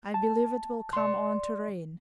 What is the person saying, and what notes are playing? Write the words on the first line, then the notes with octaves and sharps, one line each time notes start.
I believe it will come on to rain.
A5
D5 C6